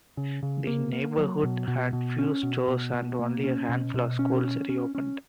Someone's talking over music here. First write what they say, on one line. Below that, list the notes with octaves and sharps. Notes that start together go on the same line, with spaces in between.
The neighborhood had few stores and only a handful of schools reopened.
C#3
C#3
A#3
A#3
F#3
B2
B2
B2
C#4
B2
B2
B2
A#3
C#4
B2
B2
C#4
C#4
C#4
C#4